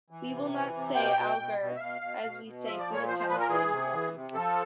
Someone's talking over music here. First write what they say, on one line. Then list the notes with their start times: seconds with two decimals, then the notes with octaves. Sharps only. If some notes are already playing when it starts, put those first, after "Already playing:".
We will not say Alger as we say Budapest anymore.
0.10 E3
0.31 C3
0.53 E3
0.75 C3
0.95 B2 G5
1.17 B2
1.38 B2
1.60 B2
1.76 E5
1.80 B2 F5
2.01 B2
2.23 B2
2.44 B2
2.65 F3 E5
2.79 D5
2.87 A#2
2.93 C#5
3.07 F3 C5
3.19 C5
3.28 A#2 B4
3.40 A#4
3.49 E3 G#4
3.71 C3
3.93 E3
4.14 C3
4.34 F3 A4